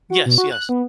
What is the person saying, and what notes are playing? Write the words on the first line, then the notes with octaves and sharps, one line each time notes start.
Yes. Yes.
F#4
B2
F#4
F#6
B3